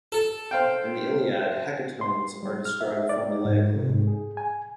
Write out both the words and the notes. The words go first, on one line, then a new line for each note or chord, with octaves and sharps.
In the Iliad hecatombs are described formulaically.
A4
C5 F5 G5
C6
G3
F6
E5
D5
D#4
G#2
C3
G#2
G#4
G#5